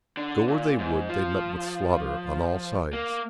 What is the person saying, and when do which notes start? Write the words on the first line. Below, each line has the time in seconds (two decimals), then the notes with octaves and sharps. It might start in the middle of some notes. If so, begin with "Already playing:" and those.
Go where they would, they met with slaughter on all sides.
0.17 D3
0.48 A#2
0.79 G#2
1.09 F3
2.93 A#3